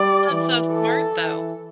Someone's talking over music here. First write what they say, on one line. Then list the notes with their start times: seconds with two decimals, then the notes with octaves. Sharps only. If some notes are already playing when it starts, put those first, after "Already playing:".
That's so smart, though.
Already playing: G3 D5
0.31 E3
0.72 A4
1.15 E3